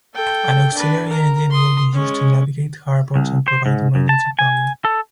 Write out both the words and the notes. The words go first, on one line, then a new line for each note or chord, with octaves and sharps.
An auxiliary engine will be used to navigate harbors and provide emergency power.
A4 G5
D4 B4
A#4 A#5
C6 D#6
G#3 C#4
C2
C5
G#2
F#2
A5
G#5
A4